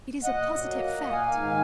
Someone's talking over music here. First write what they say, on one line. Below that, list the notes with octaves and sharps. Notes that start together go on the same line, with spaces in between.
It is a positive fact!
A#2 D#5 F#5
A#2
F#3
A#3
A#2
A#2
A#3 F5 G#5
G#2
D#3